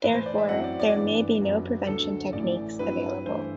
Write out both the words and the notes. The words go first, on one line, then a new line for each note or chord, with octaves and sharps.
Therefore, there may be no prevention techniques available.
A2 E3 A3 E4 B4
C5
D5
E5
F#2 F#3 C4 E4 F#5
D5
D5
G2 E3 B3 D4
F#2 F#3 B3 D4
D2 D3 F#3 A4
A1 A2 E3 A3 D5
G2 F#3 C4 E4 B4
G2 E3 A3 E4 C5